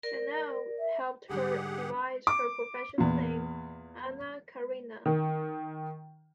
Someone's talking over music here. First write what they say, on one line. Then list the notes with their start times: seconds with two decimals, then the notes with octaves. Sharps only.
Chanel helped her devise her professional name, Anna Karina.
0.03 A#4 D5
0.79 E5
1.29 G#2 D3 G3 G4 G#4 F#5
2.27 D6
2.98 E2 A#2
5.06 D#3